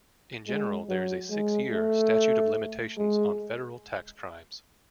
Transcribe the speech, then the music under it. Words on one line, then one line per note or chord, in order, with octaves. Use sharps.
In general, there is a six-year statute of limitations on federal tax crimes.
G#3
F#3
G#3
A3
G#3